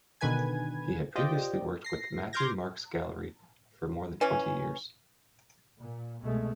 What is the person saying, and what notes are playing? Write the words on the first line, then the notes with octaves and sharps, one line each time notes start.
He had previously worked with Matthew Marks Gallery for more than twenty years.
B2 D3 D#3 B4 G#5 G#6
F4 G4 C5 D5 D#5 G5
A#6 C7
C6 D6 F6 G6 G#6 A#6
E3 C#4
A#2
C2 B2 G#3 A3